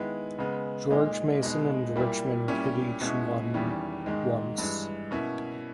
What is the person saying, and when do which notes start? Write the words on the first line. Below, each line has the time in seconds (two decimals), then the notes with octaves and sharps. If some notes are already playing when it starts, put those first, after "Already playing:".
George Mason and Richmond had each won once.
Already playing: D#3 G#3 B3 E4
0.38 C#3 G#3 B3
0.90 A#2 G#3 D#4
1.43 B2 G#3 D#4
1.96 A#2 G3 A#3 E4
2.48 A#2 G3 C#4 E4
3.01 B2 G#3 C#4 E4
3.54 E2 D#3 G3 C#4 E4
4.06 G#2 D#3 G#3
4.58 G2 E3 G#3
5.11 B2 A#3 C#4 E4